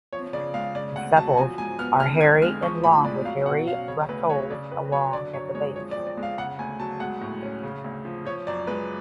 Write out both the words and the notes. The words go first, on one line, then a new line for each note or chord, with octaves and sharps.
The sepals are hairy and long with hairy bracteoles long at the base.
F3 C#5
C#3 D5
G#3 F5
C#3 D5
D2 F#5
F#3 A5
F3 G#5
G#2 G#5
B3 F6
D3 F6
F2 G#6
G#3 F6
F3 C#6
A2 B5
G#3 D5
F#3 F5
B2 F#5
C#4 F5
C#3 C#5
D2 B4
F#3 C#5
C#3 D5
F2 B4
F#3 C#5
D3 D5
F#2 C#5
G#3 C#5
F3 C#5
D5
F2
D5
G#3
F5
C#3 F#5
D2 G#5
F#3 A5
G#3 F#5
A2
C#4
C#3
D2
F3
F3 C#5
F#2 D5
G#3 B4